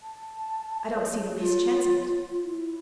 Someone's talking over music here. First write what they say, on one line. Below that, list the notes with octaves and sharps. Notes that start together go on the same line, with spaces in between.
I don't see the least chance of it.
A5
C#5
F4
E4